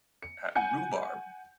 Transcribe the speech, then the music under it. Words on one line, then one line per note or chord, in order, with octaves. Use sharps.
At Rhubarb!
C#7
F#5 G#5 G6 C#7